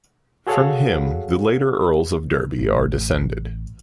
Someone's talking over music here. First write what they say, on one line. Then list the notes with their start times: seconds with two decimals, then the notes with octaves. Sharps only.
From him the later Earls of Derby are descended.
0.47 F#4 G#4 A4 C#5 F5 F#5
2.59 A1